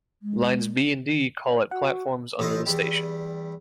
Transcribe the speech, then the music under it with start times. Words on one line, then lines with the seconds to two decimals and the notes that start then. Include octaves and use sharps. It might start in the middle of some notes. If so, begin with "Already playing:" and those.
Lines B and D call at platforms under the station.
0.22 G#3
1.47 C#5
1.71 F#4 F#5
2.39 A1 A2 F4 C5 D#5
2.66 E2 G3